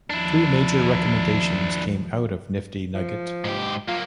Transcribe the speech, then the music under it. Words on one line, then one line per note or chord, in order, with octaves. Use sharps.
Two major recommendations came out of Nifty Nugget.
D#2 F3 D4 E4
F3
G#2 G4
F#3 A#3 F4